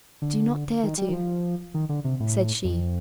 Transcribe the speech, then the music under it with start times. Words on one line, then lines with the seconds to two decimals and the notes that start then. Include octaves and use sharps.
"I do not dare to," said she.
0.22 D3
0.83 D#3
0.98 G3
1.09 D#3
1.13 F3
1.74 D#3
1.89 D3
2.04 C3
2.20 A2
2.64 F2